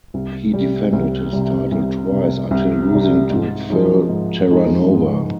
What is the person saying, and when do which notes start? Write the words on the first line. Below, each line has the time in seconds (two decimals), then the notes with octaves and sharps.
He defended his title twice until losing to Phil Terranova.
0.14 C2
0.53 C3 G3
0.93 C2
1.33 C3 G3
1.72 C2
2.12 C3 G3
2.51 C2
2.91 C3 G3
3.30 G#2
3.69 F3 G#3 D#4
4.09 G#2
4.49 F3 G#3 D#4
4.89 G#2